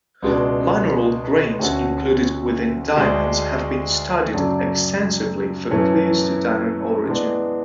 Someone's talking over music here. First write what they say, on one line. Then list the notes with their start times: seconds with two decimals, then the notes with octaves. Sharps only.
Mineral grains included within diamonds have been studied extensively for clues to diamond origin.
0.22 C#2 B2 G#3 D4
1.59 D2 D3 A3 C#4 F#4
2.96 D2 D3 G#3 D4 G#4
4.33 F#2 C#3 F#3 A3 D4
5.71 F#2 E3 A3 C#4
7.08 E3 G#3 B3 D4